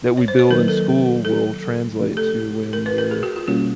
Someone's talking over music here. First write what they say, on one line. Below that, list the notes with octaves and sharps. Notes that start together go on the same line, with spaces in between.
that we build in school will translate to when we're
C#5
C5
B4
D#3 F#3 A#3 D#4 A#4
A4
A4
C3 F3 A3 D4 G4
A4
A#4
B4
A#4
G#4
F#4
F4
B2 G3 A#3 C#4 F4 F#4